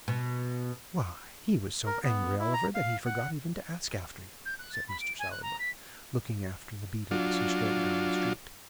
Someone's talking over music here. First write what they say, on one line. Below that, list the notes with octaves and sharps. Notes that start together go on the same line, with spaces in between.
'Why, he was so angry, Oliver, that he forgot even to ask after you!' said Mr. Sowerberry, looking after the beadle as he strode down the street.
B2
A#4
B3
E4
A#5
F5
F#5
G6
F#6
A6
B5
D7
G#5
F#6
A#5
B6
F#3 D4 F4